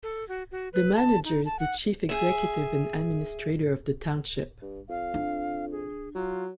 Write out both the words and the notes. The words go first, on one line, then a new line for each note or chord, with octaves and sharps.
The Manager is the chief executive and administrator of the Township.
A4
F#4
F#4
B4
A5
D#4
A5
F#5
G#4 E5
G2
F2 F5
D4
G#4
F#3 F4